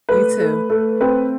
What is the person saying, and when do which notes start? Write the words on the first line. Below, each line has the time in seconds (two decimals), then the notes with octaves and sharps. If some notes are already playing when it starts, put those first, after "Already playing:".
You, too.
0.09 A3 B4
0.40 A3
0.70 A3
1.01 C4 B4